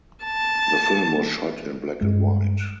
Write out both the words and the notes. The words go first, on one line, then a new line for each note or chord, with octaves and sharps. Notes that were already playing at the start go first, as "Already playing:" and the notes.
The film was shot in black and white.
A5
G2 G#3